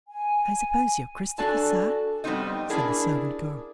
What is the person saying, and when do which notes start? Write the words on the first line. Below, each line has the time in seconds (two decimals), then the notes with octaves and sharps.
'I suppose you're Christopher, sir,' said the servant-girl.
0.09 G#5
1.38 D4 F#4 A4 D5 G#5 A5
2.24 F2 G3 B3 C4 D#4 D#5
2.70 C#4 D4 E4 G#4 A#4